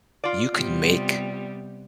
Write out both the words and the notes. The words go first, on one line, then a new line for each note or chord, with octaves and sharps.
you could make
F4 D5
C3 G3 B3